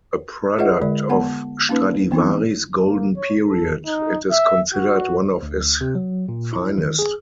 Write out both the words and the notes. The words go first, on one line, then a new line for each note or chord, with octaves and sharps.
A product of Stradivari's golden period, it is considered one of his finest.
F4 G#4 B4 D#5 E5 F#5
D3 G#3 D5
B3 F#5 A5
A#3 C#4 D#4 B4
E3 B3 C4 D#4 E4
A#3
C#5
A4
D#4
E5
F#4
D2
C3
F#3
A#2
E4
D#3
G#4